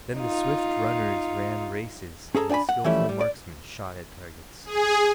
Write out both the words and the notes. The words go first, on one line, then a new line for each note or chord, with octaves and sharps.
Then the swift runners ran races, and the skilful marksmen shot at targets.
D#4 F4
C#4 G#4 A4 A#5
D4 D5 G5 G#5 B5
F#5
E3 F3 G3 A3 C#4 E4
G3
D5
G#4